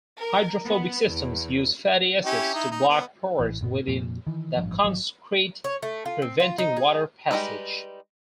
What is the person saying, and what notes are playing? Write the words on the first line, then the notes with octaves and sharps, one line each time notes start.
Hydrophobic systems use fatty acids to block pores within the concrete, preventing water passage.
A#4
B3
E2
C#4 E4 G4
D#4 E4
D#4
B3
A1 E3
F#1 A#2 B3
F2 A#2
D#3 E3
A1 G2 F3
G#1 D#2 F#3
C#5
A3
F4
C4
F4
D#4
G#4
G3 G#3 C4 D#4 B4